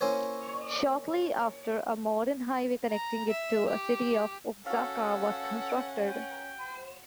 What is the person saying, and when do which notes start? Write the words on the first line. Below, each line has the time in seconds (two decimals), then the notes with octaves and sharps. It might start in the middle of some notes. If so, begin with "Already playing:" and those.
Shortly after, a modern highway connecting it to the city of Oaxaca was constructed.
0.01 A#3 C#4 E4 C5 C#5
2.91 A#5
3.30 E5
3.69 G4
4.66 C#4 F#4 A4 F5 F#5
6.06 G5